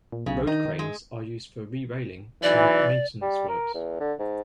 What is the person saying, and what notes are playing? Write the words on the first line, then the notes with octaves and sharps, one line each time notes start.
Road cranes are used for re-railing and maintenance works.
A#2
B1 C#3
D#3 D#4
D#3
G#3
B1 E3 D5
G3
A#4
E2
D3
G#2